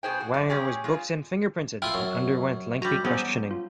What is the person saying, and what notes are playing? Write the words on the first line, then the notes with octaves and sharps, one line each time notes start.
Wanger was booked and fingerprinted, and underwent lengthy questioning.
B2 G#4 C5 G5
F#4
F#2 D5
G#3 C#4 G4 G#4
G#3 F4
E4 F4 G5 C6 F6
F#2
G3 F#4 A#5
F#3 G3 B3 C#4 G#4 C5
F4